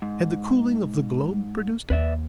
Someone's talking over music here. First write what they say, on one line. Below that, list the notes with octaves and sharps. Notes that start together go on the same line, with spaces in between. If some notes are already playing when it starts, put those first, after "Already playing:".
Had the cooling of the globe produced it?
G#2
D#2 B4 D5 E5